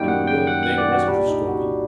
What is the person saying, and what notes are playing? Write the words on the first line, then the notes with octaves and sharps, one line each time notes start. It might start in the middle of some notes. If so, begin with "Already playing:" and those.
"And will they arrest Prascovie?"
Already playing: F#2 D#3 G3 A#3 G5
F#5
G5
F#5
F#5
D5
F#4
C2 A#2 G3 D4
D#4
F#4